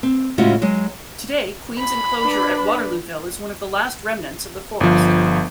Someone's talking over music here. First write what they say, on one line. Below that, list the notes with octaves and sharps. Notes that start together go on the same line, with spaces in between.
Today Queens Inclosure at Waterlooville is one of the last remnants of the forest.
C4
A2 C#3 G#3 C#4 F4 F#4
F#3 G#3 D#5
B5
D4 B4
G1 F3